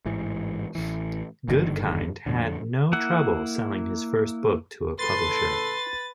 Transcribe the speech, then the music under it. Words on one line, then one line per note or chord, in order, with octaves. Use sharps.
Goodkind had no trouble selling his first book to a publisher.
A1 G#2 E3
A1 E3
F#1 G2 D3 D#3
F2 A2 D3
A#3 E4 F#5
A2 C#3 A4 B4 C6 A6